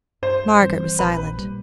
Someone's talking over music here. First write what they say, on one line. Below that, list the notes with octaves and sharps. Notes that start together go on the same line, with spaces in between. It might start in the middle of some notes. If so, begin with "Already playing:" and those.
Margaret was silent.
G2 C5
E3 G3 C4
A#1 B4
A#2 G3